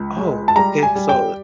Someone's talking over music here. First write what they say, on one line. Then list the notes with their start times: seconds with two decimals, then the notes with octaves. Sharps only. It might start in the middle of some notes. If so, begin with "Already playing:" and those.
oh, okay, so it
Already playing: C#2
0.17 G#3
0.48 A5
0.56 G3 A#5
0.83 G#5
0.95 G3
1.09 G5